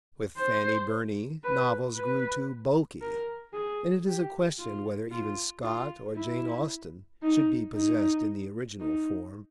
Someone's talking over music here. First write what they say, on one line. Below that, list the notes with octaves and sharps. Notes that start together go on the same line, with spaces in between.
With Fanny Burney, novels grow too bulky, and it is a question whether even Scott or Jane Austen should be possessed in the original form.
C5
B4
B4
A#4
G#4
G4
F4
F4
F4
E4
D#4
D#4
D#4